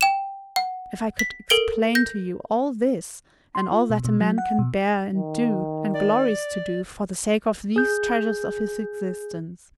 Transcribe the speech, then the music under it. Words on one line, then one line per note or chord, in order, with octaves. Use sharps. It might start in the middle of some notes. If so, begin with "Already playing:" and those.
If I could explain to you all this, and all that a man can bear and do, and glories to do, for the sake of these treasures of his existence!
G5 E7
F#5
B6
A4 A#4 D7 G7
G6 A#6
C6
F4
B2
B2
F#3
F#5
B2
D#3
D5
G#4 G6